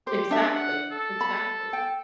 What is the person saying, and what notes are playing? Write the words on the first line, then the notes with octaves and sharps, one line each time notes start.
Exactly, exactly.
G4 C5
D4 E5
F#5
A4
B5
G5